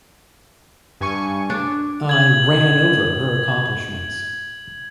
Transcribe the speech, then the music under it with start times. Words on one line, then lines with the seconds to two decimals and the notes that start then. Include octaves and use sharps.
I ran over her accomplishments.
1.01 G2 G#5 C#6
1.50 D4
2.09 G#6 F#7